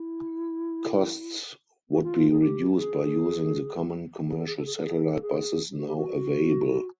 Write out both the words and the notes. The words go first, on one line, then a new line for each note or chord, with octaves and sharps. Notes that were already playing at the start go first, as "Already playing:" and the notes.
Costs would be reduced by using the common commercial satellite buses now available.
Already playing: E4
F#4
F4
G#4
G4
G#4
G#4
A4
G#4
A4
G#4
A4
G#4
A4
G#4
A4
G#4
F#4
G4
F#4